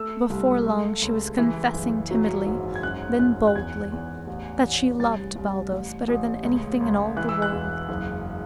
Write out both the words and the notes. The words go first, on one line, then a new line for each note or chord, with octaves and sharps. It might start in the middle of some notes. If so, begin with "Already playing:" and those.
Before long she was confessing timidly, then boldly, that she loved Baldos better than anything in all the world.
Already playing: A3 E6
C2
A3
C#2
E3
F#1
F#3
G#1
G#6
F#2 F#6
F#2 F#6
F#6
E2 G#6
E2
A1
A1
C2 A6
C2
A1
A1
C#2
C#2
E3 F#6
E6
F#6
E1
F#1